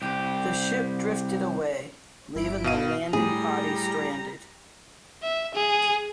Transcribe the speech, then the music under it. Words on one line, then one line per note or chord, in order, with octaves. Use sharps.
The ship drifted away, leaving the landing party stranded.
C2 G4
G1 E4 D7
B2 F5 D#7
A2 G3 G#4 A#5
E5
G#4